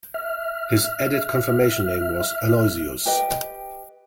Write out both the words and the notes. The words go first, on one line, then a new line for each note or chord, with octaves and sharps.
His added confirmation name was Aloysius.
E5 F6
G4 B4 D#5 G5